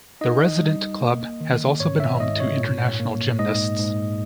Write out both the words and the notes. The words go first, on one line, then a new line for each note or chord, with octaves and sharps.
The resident club has also been home to international gymnasts.
D#4 D#5
G3
A#3
D#3
G#2 C#5
E5
G#2 D#5
C#5
A#2
A#3
G#2 D#5
G#2